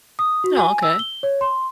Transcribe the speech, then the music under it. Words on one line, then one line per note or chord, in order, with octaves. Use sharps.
Oh, okay.
D#6
F#4
G#5
E6
G7
C#5
C6